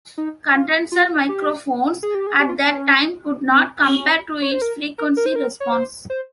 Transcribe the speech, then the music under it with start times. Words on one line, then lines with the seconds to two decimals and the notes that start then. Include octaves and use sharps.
Condenser microphones at the time could not compare to its frequency response.
0.18 D#4
0.55 F4
0.92 F4
1.29 G4
2.03 G#4
2.15 G4
2.27 G#4
2.39 G4
2.49 F4
2.67 C#4
3.51 C4
3.87 C#4
4.42 C#5
4.52 C5
4.62 A#4
4.98 A#4
5.17 A#4
5.26 C5
5.35 A#4
5.60 C#5
5.72 C5
6.10 C5